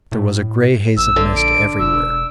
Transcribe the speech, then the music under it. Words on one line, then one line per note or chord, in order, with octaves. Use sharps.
There was a gray haze of mist everywhere.
A2
A#1 E6
D3
D7
E1 E6